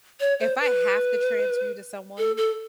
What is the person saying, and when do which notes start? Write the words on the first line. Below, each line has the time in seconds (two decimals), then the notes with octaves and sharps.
if I have to transfer you to someone,
0.20 C#5
0.40 C5
0.60 B4
2.18 A4
2.37 A4